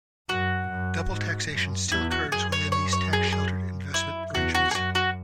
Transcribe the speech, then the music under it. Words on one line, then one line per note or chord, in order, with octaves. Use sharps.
Double taxation still occurs within these tax-sheltered investment arrangements.
F#2 F#4
F#2
G#2
F#2
E2 E4
F#4
F#2 G#4
C#5
C#5
C#5
G#4
G#4
E4
E2 F#4
F#4
G#4
F#2 F#4
F#4